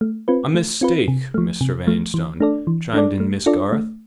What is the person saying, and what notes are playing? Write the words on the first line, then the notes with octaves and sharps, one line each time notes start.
"A mistake, Mr. Vanstone," chimed in Miss Garth.
A3
C4 F4 B4
A3
C4 F4 B4
C3
F3 A3
C3
F3 A3
E3
A3 D4 A4 D5
E3
A3 D4 A4 D5
A3
D4 F4 A4 D5
A3